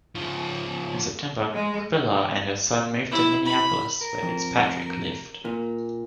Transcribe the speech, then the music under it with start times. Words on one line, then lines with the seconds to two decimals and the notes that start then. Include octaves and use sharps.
In September, Qubilah and her son moved to Minneapolis, where Fitzpatrick lived.
0.15 C#2 F3
1.53 G#3
3.11 E4
3.46 B5
4.01 A#4
4.23 F2
5.45 A#2 A#3